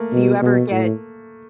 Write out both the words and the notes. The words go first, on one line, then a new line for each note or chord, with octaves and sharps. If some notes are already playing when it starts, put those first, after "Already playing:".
Do you ever get,
Already playing: A3 A#3
B2
B2
A2